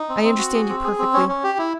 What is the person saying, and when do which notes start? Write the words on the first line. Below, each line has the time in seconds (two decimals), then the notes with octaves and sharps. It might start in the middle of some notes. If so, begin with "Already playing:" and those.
I understand you perfectly.
Already playing: D#4
0.09 C4
0.24 C4
0.39 F#4
0.54 G#4
0.69 C4
0.84 G#4
0.99 C4
1.14 C#4
1.29 C#4
1.44 G4
1.58 E4